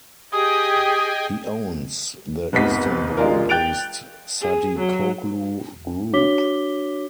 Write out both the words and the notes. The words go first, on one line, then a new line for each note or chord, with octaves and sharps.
He owns the Istanbul-based Sadikoglu Group.
G4 G#4 D#5 G5 G#5 D#6
F1 C2 G#2 B3 B6
A1 G#3 D4 F4 A#4
G5 F#6 A6 D7 F7
G#4
F#3
D4 F#4 C#5 D6 B6 G7